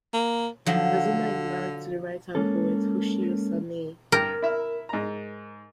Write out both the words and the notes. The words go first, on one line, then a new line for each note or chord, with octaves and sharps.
Azuma is married to the writer and poet Hoshio Sanae.
A#3
D3 F3 F#3
G#3 A#3 C#4 A4
G2 A#4 G5
E4 E5 F6
G#2 A#5